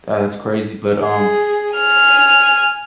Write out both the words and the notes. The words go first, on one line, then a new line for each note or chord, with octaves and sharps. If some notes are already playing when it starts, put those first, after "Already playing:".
That's crazy, but um,
G#4
G#5 F6